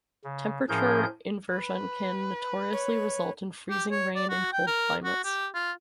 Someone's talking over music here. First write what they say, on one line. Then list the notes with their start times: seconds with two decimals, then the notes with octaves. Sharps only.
Temperature inversion can notoriously result in freezing rain in cold climates.
0.24 C#3
0.69 A2 F3 C#4 G#4 A#4 G6
1.54 B4
2.73 C#5
3.70 G4
3.91 C#5
4.15 D5
4.29 F#4
4.53 G5
4.67 A#4
5.04 F#4
5.24 G4
5.54 F4